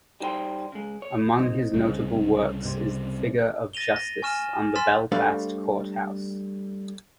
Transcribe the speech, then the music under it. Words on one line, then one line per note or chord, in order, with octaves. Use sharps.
Among his notable works is the figure of Justice on the Belfast courthouse.
G3 D#4 C5 G5 C6
C#3 G#3
C#5
C4 D#4
C2 C#3
C3
A6 A#6 D#7 F7 G7
A#6
G#5 C#6 F6 E7
G#5 C6 F6 A6 B6 E7
G3 A3 D4 C5 F5